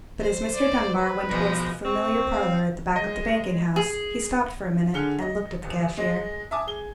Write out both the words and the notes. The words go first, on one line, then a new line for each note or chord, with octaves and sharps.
But as Mr. Dunbar went towards the familiar parlour at the back of the banking-house, he stopped for a minute, and looked at the cashier.
C5
D5
B4
B2 F3 G#3
C4 C#6
F5
G#3 D#5
G#4
D3 G#4 F6 C#7 G7
D#5
D#1
G#3 D#5
E5 G#5 A5 D6 D#6
G#4 G7